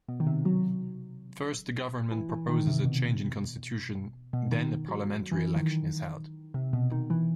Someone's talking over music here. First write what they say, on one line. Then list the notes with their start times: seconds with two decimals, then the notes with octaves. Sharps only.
First a government proposes a change in constitution, then a parliamentary election is held.
0.08 B2
0.20 D#3
0.27 C3
0.45 F#3
2.11 E3
2.29 E3
2.48 D#3
2.67 C3
2.85 B2
4.33 B2
4.52 D#3
4.88 F#3
5.32 E3
5.56 D#3
6.54 C3
6.73 B2
6.91 D#3
7.10 E3